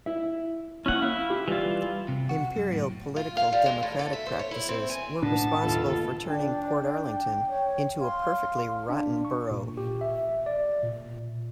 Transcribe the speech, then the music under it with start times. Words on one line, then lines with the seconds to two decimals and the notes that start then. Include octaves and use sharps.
Imperial political democratic practices were responsible for turning Portarlington into a perfectly rotten borough.
0.06 E4 E5
0.86 A#3 C#4 E4 F#5
1.02 E4 F5
1.30 F4 G4
1.48 E3 G3 F4
2.08 C3
2.29 F#4
2.57 F#2
2.72 A2
3.16 F4
3.37 F5
3.53 G3
3.66 G#3
3.83 A2
3.99 A4
4.13 E5
4.27 C5
4.39 C#5
4.51 E4
4.69 C4
4.89 G#5
5.23 A2 B3 D4 A5
5.63 G1 D#2 F4 A4
6.27 D4 G5
7.48 C#5
8.01 F5 C6
8.89 D4
9.25 C#6
9.51 A#2
9.77 G4
10.01 E5
10.46 D5
10.82 A#2